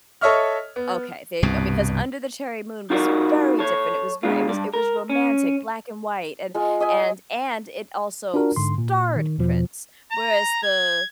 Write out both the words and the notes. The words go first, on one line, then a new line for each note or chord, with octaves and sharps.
Okay, there you go. Because Under the Cherry Moon was very different. It was very it was it was romantic, black and white and and and it also starred Prince. Whereas the
A4 C#5 D#5 E5 C#6 F6
B3
C2 G2 B2
D#4 F4 F#4 A#4 C#5 D5
A4 C#5
B2 G#3 D4 F4
G2 D5
A#4
C#4
G#3 F4 G#5
D#5 E5 G#5
D4 F4 F#4 A#4
G#2 D3 C6
A#2
D#3
E2 B2 F3
A#5
G#6